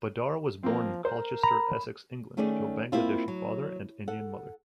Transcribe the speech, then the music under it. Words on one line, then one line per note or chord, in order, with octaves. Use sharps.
Badar was born in Colchester, Essex, England to a Bangladeshi father and Indian mother.
F3 A#3 C4
A#4 C5
A#5 B5
D#3 A3 C#4 G#4 D5
A#3 C4 E4 F4
F#3
A4 F#5